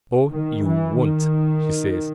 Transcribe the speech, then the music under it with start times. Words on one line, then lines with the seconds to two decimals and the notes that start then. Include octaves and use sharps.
"No you won't," she says.
0.29 D#3
0.65 E3
1.00 D#3